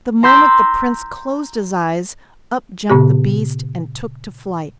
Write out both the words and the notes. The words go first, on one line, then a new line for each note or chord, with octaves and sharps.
But the moment the Prince closed his eyes, up jumped the beast and took to flight.
A#5 C6 E6 G6 B6
A#2 C#3 B3 G4